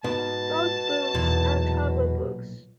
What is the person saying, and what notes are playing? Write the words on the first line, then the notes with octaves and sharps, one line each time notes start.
Both books are travel books.
G#2 B2 B3 A5
B1 E2 A#2